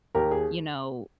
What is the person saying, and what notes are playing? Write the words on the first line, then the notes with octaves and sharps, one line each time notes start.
you know,
D#2 G4 A#4
G#4